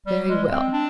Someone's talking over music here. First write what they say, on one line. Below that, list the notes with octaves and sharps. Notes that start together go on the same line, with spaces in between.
'Very well.
G3
G#3
C4
D4